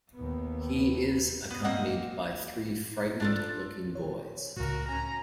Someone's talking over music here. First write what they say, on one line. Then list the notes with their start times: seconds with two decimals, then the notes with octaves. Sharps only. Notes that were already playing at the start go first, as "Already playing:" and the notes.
He is accompanied by three frightened-looking boys.
0.15 D#2 B3
1.50 B3
1.64 A#3 C4 D#5 F#5
3.20 D4 F4 A4
3.95 C#5
4.57 C#2 A2 F#4 A#4
4.89 C#4 G#5 A#5